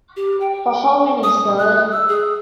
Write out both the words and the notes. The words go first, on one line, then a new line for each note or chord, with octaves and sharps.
For how many, sir?
G4
G5
D#6
F#6
E6
G#4